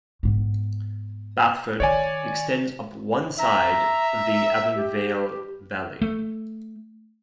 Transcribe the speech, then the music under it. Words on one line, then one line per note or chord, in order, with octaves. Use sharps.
Bathford extends up one side of the Avonvale Valley.
G#2 B3
D#3 C#5 D5 G#5
E5 A#5
G4
A3